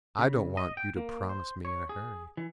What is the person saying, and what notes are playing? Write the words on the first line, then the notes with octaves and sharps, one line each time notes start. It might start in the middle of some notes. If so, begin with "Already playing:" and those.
"I don't want you to promise me in a hurry."
C#3
D#5
G5
A#3
C5
C#5
G#4
E3